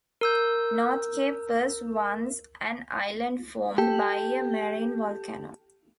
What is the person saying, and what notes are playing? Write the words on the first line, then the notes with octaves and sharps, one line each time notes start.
North Cape was once an island formed by a marine volcano.
A#4 E6 G6
G4 A4